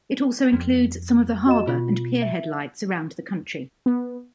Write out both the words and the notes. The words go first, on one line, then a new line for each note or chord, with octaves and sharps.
It also includes some of the harbour and pier-head lights around the country.
F2
F#4 D#5 E7
B2 F4
E5
B3